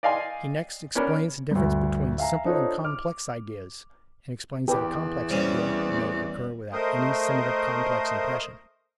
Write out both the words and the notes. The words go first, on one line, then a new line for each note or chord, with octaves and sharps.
He next explains the difference between simple and complex ideas, and explains that a complex idea may occur without any similar complex impression.
D5 D#5 F5 G5 G#5 C6
B3 C#4 D4 A#4
D2 G2
E5 F5 G#5 A#5
D4 D#4 F4 A4 C5 C#5
D6 F6
E2 G4 B4
G3 C4 C#4
A3 A#4 C5 D#5